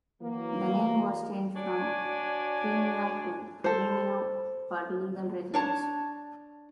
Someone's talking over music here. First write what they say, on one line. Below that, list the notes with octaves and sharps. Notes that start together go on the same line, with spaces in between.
The name was changed from Chimera to Camino for legal reasons.
E3 F#3 A#3
D4 F#4 C#5 D5 G#5
A4 C5
D4 C#5 A5